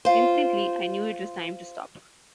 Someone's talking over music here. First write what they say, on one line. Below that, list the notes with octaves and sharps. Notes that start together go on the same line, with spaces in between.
Instantly I knew it was time to stop.
F4 C5